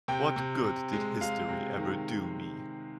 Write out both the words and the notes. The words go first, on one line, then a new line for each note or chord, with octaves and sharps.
What good did history ever do me?
C3 G5
C3
C3
G#3
G#3 F5
C3
D#3